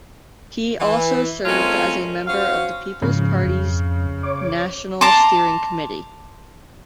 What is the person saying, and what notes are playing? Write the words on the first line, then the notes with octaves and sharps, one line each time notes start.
He also served as a Member of the People's Party's National Steering Committee.
E3
G#3 A3 C4 C#4 F4 A#4
C#4 F#4 C5 F5
G#2 C#3 F3
F2
C#5 D6
A5 A#5 C6 D6